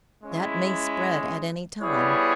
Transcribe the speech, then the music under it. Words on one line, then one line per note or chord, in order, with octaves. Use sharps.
That may spread at any time.
G#3 C#4 E4
G3 B3 E4 G#4 C#5